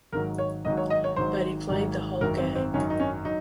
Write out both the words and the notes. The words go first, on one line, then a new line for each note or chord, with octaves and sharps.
But, he played the whole game.
G#1 G#2 D#3 F#3 A#4
C#5
G#1 G#2 D#3 F#3 D#5
C#5
D#5
C#5
G#1 G#2 D#3 F#3 C5
G#1 G#2 D#3 F#3
G#1 F#2 D#3 F#3 A#4
C4
C4
G#1 F#2 D#3 F#3 C#4
D#4
C#4
F#3 D#4